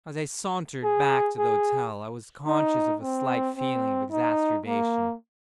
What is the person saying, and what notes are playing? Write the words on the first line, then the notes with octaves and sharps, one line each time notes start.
As I sauntered back to the hotel I was conscious of a slight feeling of exacerbation.
G#4
G#4
D#4
C4
C4
D#4
A#3